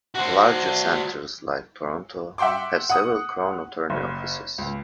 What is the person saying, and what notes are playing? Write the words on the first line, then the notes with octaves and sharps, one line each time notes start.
Larger centres like Toronto have several Crown Attorney Offices.
F#4 C5
E5 F#5 G5 C6 D6
F#5 D#6
F#1
C#2